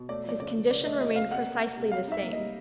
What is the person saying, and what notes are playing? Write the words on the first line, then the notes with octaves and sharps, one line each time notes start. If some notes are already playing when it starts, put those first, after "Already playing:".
His condition remained precisely the same.
Already playing: B2
A3 D5
F3 D5
C#3 D5
F3
C#3 D5
A3 D#5
F#3 D#5
C#3 F5
C3 F#5
A#3
A#3
C3
G3 F5
D#4 E5
A#3
D#5
G3